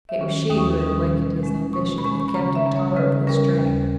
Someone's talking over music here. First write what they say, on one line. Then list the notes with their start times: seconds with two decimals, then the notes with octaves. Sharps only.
It was she who had awakened his ambition and kept him tolerably straight.
0.09 E5
0.19 D#3 G3 C#4
0.50 D#2 D#6
0.58 C#6
0.65 D#6
0.80 D#3 G3 C#4
1.11 B2
1.43 G#3 C#4
1.73 B2 C#6
1.98 B5
2.04 G#3 C#4 C#6
2.20 C#6
2.28 B5
2.34 C#3 A#5
2.55 E5
2.66 G3 C#4
2.76 C#5
2.96 C#3 B4
3.27 G3 C#4 A#4
3.58 D#2